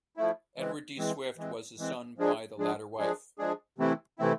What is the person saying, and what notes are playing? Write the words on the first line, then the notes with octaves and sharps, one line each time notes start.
Edward D. Swift was his son by the latter wife.
F3 A3 E4
E3 G#3 C4
E3 G#3 C4
E3 G#3 C4
E3 G#3 C4
F3 G#3 D4 G#4
F3 G#3 D4 G#4
F3 G#3 D4 G#4
F3 G#3 D4 G#4
C3 E3 A3 C4 E4
C3 E3 A3 C4 E4